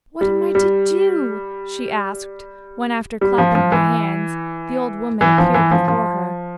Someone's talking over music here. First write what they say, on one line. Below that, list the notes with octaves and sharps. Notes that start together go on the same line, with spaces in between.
'What am I to do?' she asked, when, after clapping her hands, the old woman appeared before her.
G3
G3
G3
F3
F3
E3
E3
F3
E3
F3
F3